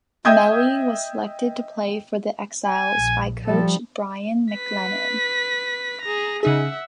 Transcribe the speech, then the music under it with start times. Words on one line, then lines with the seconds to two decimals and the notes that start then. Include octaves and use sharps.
Meli was selected to play for the Exiles by coach Brian McLennan.
0.25 D#5 E5 G5 D#6 G6 G#6
2.66 G#5
2.97 A#1
3.45 F3 G3 A4
4.52 B4 B6
6.01 G#4 A#5
6.43 C#3 D#4 G#4 E5 F#5